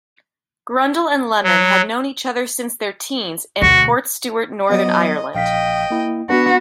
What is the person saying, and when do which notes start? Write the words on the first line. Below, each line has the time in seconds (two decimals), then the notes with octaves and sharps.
Grundle and Lemon had known each other since their teens in Portstewart, Northern Ireland.
1.43 F#3
3.62 D2 B2 F#4
4.70 F#3 B3 D#5
5.35 A#1 D#5 F5 G5 B6
5.91 A#3 E4
6.29 B3 D4 F#4 B4